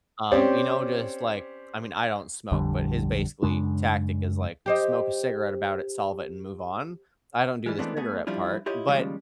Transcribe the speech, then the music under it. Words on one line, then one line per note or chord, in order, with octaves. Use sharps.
Um, you know, just, like I mean, I don't smoke, but his basically tactic is, like, smoke a cigarette about it, solve it, and move on. I don't do the cigarette part, but
C4 C#4 G4 D5
A#1 F2 D3 G3
F#2 C#3 G#3 D4
G4 C5 D#5
E3 G3 G#3
E3 G#3 A3 B3 C4 D4
A3 B3 G#4
F3 G3 D4 E4 F4
E4 F4 G4 C#5 D#5
D#2 C#3 F3 G3 G#3